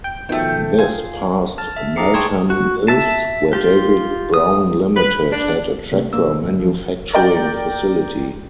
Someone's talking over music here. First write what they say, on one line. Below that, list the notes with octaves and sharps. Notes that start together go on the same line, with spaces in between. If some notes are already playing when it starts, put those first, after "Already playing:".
This passed Meltham Mills, where David Brown Limited had a tractor manufacturing facility.
G5
B2 D#3 F3 A3 G5
F4 G#4
A5 F6 A6
E5
D#4 G#4 A#5 D6 C7 C#7
G5 A5 C6 C#6 D#6 G#6
F#4
E5 A5
F4 G4
D#6
B4
D4
C3 A3
B2 A#3 E6
D2 G#2
E2 F3
A#4 D5 G5